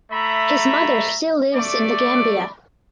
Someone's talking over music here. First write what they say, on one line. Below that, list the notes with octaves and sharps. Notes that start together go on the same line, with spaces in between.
His mother still lives in The Gambia.
A3 E5 A#5 B5
A3 D5 D6